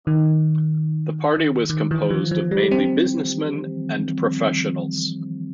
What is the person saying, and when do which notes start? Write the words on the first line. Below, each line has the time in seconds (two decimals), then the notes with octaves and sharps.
The party was composed of mainly businessmen and professionals.
0.07 D#3
1.69 D#3
1.91 E3
2.10 F3
2.31 F3
2.51 G3
2.71 C4